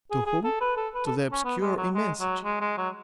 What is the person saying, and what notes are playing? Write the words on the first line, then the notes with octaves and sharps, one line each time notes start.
To whom? To the obscure immensity.
G#4
G#4
A4
B4
A4
B4
A4
C#4
B3
G#3
F#3
G#3
F#3
G#3
G#3
F#3